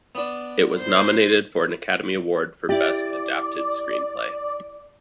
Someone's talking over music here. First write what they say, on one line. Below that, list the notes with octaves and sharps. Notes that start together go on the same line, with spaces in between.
It was nominated for an Academy Award for Best Adapted Screenplay.
B3 D4
C5
E4 G4 D5